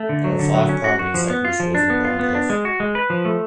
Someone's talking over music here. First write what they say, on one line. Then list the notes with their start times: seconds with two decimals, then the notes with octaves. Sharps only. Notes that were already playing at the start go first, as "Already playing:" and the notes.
There are five primary and secondary schools in Rhawnhurst.
Already playing: A3
0.09 D3
0.24 F#3
0.39 D3
0.54 F#3
0.69 C#4
0.84 F#4
0.99 F#4
1.14 F3
1.30 B3
1.45 F4
1.60 F3
1.75 D4
1.90 B3
2.05 F4
2.19 B3
2.35 D4
2.50 G#3
2.65 F#4
2.80 G#3
2.95 B4
3.10 F3
3.25 A3